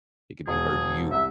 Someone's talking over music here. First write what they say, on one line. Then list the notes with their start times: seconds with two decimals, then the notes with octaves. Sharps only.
it could be hurting you.
0.48 E1 G#4
1.12 C2 E5